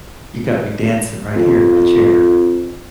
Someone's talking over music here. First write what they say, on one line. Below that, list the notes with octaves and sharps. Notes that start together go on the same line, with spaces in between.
you got me dancing right here in my chair.
F2